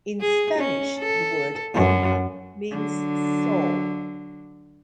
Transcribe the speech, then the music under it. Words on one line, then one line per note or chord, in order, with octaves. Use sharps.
In Spanish the word "alma" means soul.
G#4
C#4
A4
F#2
D3 F#3